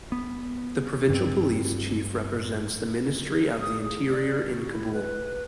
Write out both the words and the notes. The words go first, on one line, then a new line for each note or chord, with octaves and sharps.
The provincial police chief represents the Ministry of the Interior in Kabul.
B3
G2 C4
D#6
G#4
D5
F#4
E4
B4